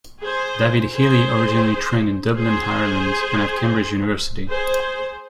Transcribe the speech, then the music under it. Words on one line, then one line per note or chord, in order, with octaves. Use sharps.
David Healy originally trained in Dublin, Ireland, and at Cambridge University.
G#4 C5
G#4 C5
G#4 C5
G#4 C5